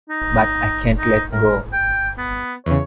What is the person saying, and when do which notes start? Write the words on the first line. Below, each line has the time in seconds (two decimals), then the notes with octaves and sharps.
But I can't let go.
0.09 D#4
0.97 D#4
1.33 A2 A#4
1.73 G5
2.18 B3
2.66 E2 C#3 C#5